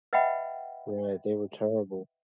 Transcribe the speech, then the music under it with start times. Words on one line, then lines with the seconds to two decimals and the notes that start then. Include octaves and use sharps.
Right. They were terrible.
0.13 B4 D#5 E5 F#5 G5 B5